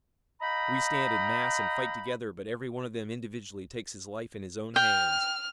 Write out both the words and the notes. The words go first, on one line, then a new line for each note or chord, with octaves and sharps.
We stand in mass and fight together, but every one of them individually takes his life in his own hands.
D#5 F5 G5 A#5 B5
G5 F6